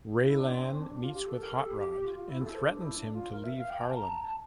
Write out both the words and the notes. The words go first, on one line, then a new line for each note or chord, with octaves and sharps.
Raylan meets with Hot Rod and threatens him to leave Harlan.
E4
D4
C4
C4
D4
D4
F4
G4
A4
A#4
A4
G4
G4
G4
F4
F4
E4
A4
C5
D4
E4
D4
F4
A#4
E5
F5
G5
A5
A#5
A5
A5